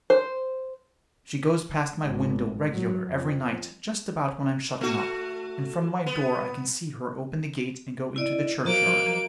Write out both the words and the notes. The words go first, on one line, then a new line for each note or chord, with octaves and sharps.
She goes past my window regular every night, just about when I'm shutting up, and from my door I can see her open the gate and go into the churchyard.
C5
G#1
F#3
F2
A3 F#4
B3
E4 D5 D#5
F3 F#3 A#3 F#4 D#5 D7